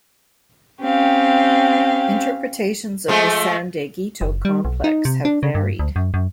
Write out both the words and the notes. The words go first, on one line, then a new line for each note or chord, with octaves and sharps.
Interpretations of the San Dieguito Complex have varied.
C4 C#4 G4 F5
F3 G#3 A3
F#1
G3
B1
D#4
C3
D4
C#3
G2
D2
F#2
F#2